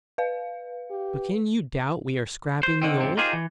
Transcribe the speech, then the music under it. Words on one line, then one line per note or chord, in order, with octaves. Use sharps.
"But can you doubt we are scrapping the old?..."
B4 F5
G4
C5
D3 D#3 C4
F2 G#2 C3 C4
D#4 F4 G4 G#4 A#4 C5
E3